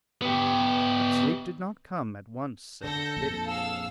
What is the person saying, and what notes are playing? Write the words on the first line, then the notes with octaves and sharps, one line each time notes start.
But sleep did not come at once at his bidding.
B3 G4
D3 A4 G6 A#6
A#1 F2
G#4 F5 E6